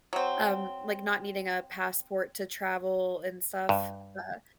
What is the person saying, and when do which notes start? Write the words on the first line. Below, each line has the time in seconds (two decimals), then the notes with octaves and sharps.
um, like not needing a passport to travel, and stuff, uh,
0.13 F#3 C4
3.69 G2